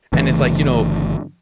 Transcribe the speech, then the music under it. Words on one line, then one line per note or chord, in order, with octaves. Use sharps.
And it's like, you know,
G1 C#3 E3 A3